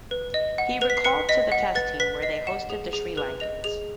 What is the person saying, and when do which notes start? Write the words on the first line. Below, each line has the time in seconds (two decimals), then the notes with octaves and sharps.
He was recalled to the Test team where they hosted the Sri Lankans.
0.11 B4
0.34 D#5
0.58 F#5
0.81 B4 F7
0.90 B6
0.97 C7
1.04 B4 C#7
1.29 D#5 B6
1.52 F#5
1.75 B4 A6
2.00 B4 B6
2.22 D#5 C7
2.47 F#5 E7
2.70 G#4 F7
2.93 G#4 F7
3.17 B4 F7
3.40 D#5 F7
3.64 G#4 F7